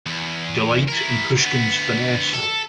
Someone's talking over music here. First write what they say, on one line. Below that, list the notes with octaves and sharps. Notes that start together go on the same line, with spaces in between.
Delight in Pushkin's finesse.
E2
E4 A#4
D2 B3
A4